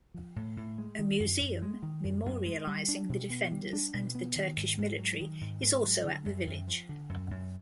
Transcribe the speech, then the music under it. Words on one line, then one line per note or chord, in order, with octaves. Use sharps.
A museum memorializing the defenders and the Turkish military is also at the village.
F3
A2
A2
G#3
D#3
F#2
F#2
G#3
D#3
F#2
F#2
G#3
G3
D4
B2
B3
G3
D4
B2
B3
D#3
G#2
G#2
F#3
D#3
G#2
G#2
F#3
D3
F#2
F#2
F3
D3
F#2
F#2